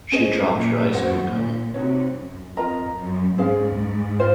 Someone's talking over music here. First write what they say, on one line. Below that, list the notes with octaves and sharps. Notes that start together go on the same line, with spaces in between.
She dropped her ice cream cone.
C#4 G#4 C5 D#5
A#2
F#2 F#4 C5 F#5
A#2
C3 D#4 F#4 C#5
F#2
F2 F4 A#4 D#5 A#5
F#2
G#2 C#4 G#4 C5 F5
F4 C5